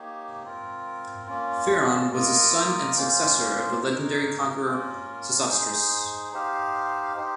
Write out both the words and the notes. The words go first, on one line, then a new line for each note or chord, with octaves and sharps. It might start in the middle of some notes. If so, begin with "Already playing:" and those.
Pheron was the son and successor of the legendary conqueror Sesostris.
Already playing: A#3 D#4 G4 C#5
C4 F4 A#4
A#3 C#4 F4
A#3 F4 A#4 D#5
A#3 C#4 F4 C5
D#4 A#4 C#5
A#3 C#4 F4 A#4
D#4 G#4 C5
D#4 G4 C5 F5
D#4 G4 C5